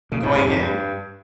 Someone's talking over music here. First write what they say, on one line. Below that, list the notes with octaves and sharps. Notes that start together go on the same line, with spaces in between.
Going in?
A#2 C#3
G#2 C3
G#2 C3
F2 G#2
G2